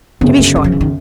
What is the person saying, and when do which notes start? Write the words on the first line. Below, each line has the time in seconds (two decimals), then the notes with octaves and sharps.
To be sure!
0.21 G1 F#2 C#3 D4
0.39 C4
0.55 A#3
0.64 F3
0.72 E3
0.81 D#3